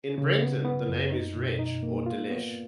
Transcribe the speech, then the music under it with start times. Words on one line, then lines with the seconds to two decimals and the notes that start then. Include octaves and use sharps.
In Breton, the name is "reg" or "delech".
0.18 C#3
0.41 B3
0.65 B3
0.89 F#2
1.12 D#4
1.36 B2
1.59 D#4
1.83 A#3
2.06 F4
2.30 B3